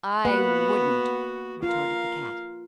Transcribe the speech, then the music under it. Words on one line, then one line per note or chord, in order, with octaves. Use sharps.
"I wouldn't!" retorted the cat.
A#3 B3 F#4 B4 F#5
F4 A#4 F5